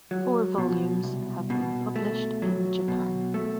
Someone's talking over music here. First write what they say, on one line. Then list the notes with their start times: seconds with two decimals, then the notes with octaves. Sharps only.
Four volumes have been published in Japan.
0.11 F#3
0.58 B2
1.04 C2
1.50 B2
1.96 A3
2.42 F#3
2.88 B2
3.34 A3